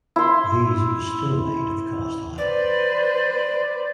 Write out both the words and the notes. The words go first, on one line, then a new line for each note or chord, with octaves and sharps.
These were still made of cast iron.
E4 C6
B4 C5 D5